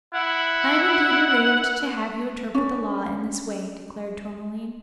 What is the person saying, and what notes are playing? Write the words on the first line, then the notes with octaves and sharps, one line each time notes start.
"I am indeed relieved to have you interpret the Law in this way," declared Tourmaline.
E4 F#5
C#4 D4